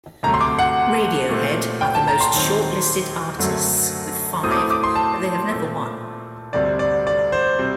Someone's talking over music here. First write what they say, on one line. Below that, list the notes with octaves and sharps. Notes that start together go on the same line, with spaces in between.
Radiohead are the most shortlisted artists with five, but they have never won.
D2 C3 F#3 A3 A#5
C6
D6
F#5
A#2 A3 C4
G5
A5
A#5
C6
D#2 D#3 F#3 C4
F#2 D3 F#3 A3 C4
A2 F#3 A3 C4 D#6
D6
D#6
D6
C6
A5
A#2 A3 C4
D2 C3 G3 C4 D5
D5
D5
C5
C3 G3 C4